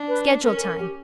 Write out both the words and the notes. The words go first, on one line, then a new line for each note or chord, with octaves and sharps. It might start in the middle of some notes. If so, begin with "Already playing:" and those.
Schedule time.
Already playing: D4
B4
C#4 A#4
A#4
A#4
G4